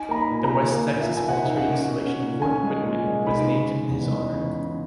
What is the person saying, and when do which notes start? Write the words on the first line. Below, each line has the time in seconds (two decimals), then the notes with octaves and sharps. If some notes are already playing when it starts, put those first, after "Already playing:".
The west Texas military installation Fort Quitman was named in his honor.
Already playing: D#4 G#5
0.09 A#3 A#5
0.16 B5
0.30 A#2
0.44 A#5
0.51 A#2
0.72 A#3
0.94 A#2
1.01 E5
1.15 A#2 G#5
1.29 F#5
1.36 D#4
1.57 C#4 F#5
1.78 C#4
1.99 C#4
2.21 A#2
2.42 C#4 G#5
2.63 G#3
2.84 A#2
3.05 G#3
3.26 D#4 B5
3.48 C#3
3.69 C#3
3.90 E2
4.11 G#3
4.32 C#3
4.53 C#3